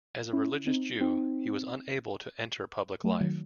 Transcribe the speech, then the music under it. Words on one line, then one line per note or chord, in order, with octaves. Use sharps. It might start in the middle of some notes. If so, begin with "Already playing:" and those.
As a religious Jew, he was unable to enter public life.
C#4 E4
C4 D#4
C4 D#4
F#3 A3
D#3 F#3